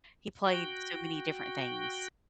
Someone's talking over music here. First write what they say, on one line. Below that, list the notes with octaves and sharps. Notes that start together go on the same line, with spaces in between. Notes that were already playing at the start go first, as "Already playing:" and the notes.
he played so many different things."
F#4 G5